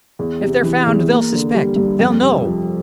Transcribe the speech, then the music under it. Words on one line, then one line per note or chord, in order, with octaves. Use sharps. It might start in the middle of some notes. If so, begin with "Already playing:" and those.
"If they're found, they'll suspect--they'll know ..."
E2
C3
E3
E2
A#3
D3
G3
G2
F2
C3
F3